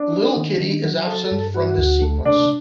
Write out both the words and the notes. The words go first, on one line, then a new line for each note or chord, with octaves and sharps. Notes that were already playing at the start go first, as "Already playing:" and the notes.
Little Kitty is absent from this sequence.
Already playing: D4
D#4
D#3
D#3
F#3
A4
G2
F#4
D2
A3
C3 D4